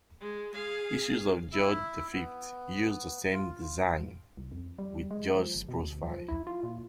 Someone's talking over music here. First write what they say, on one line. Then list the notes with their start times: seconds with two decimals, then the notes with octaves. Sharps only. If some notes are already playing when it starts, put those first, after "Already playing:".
Issues of George the Fifth used the same design with George's profile.
0.21 G#3
0.54 G#4 F5
1.52 E4 E5
2.13 B3
3.33 F4
4.37 C2
4.51 F2
4.78 G3
5.11 G#3
5.35 F3
5.54 G1
5.69 B2
5.84 D2
6.03 F3
6.28 E4
6.47 F4
6.63 A#2